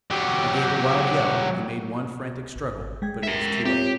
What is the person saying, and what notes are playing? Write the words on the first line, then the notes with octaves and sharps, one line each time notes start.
I gave a wild yell and made one frantic struggle, but it was too late.
F#3 G4
G#1
G#3 G5 G#6
A#4 E5
C4 F4 G4 C#5